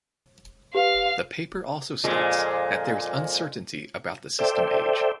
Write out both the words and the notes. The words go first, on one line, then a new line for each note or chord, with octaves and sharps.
The paper also states that there is uncertainty about the system age.
G4 B4 F5
F2 A#2 G#3
A4 C5 D5 E5 G5